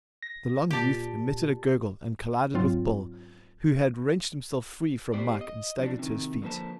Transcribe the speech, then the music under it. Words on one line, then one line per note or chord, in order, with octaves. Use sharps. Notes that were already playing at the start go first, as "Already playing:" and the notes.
The long youth emitted a gurgle, and collided with Bill, who had wrenched himself free from Mike and staggered to his feet.
A#6
A#2 A#3 G4 D5 A5
G#2 F#3 C4 F4
B3 G4 C5 D5
D#5
F3 D4
C3 D#3
D3 F3 A#3 B4 C5 A5